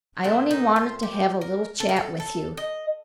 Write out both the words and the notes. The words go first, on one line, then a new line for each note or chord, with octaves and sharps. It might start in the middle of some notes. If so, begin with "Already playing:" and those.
I only wanted to have a little chat with you.
A#2 A3 C4 D4
D#4
F4
G4
A#4
A4
A#4
A4
A4
D#5